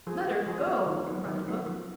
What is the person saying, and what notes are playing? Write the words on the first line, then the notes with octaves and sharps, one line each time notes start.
"Let her go!" cried Hook.
F3 G#4
B3 F#4
F3 G#4
B3
D#3
F#3 B3
D#3
F#3 B3
F3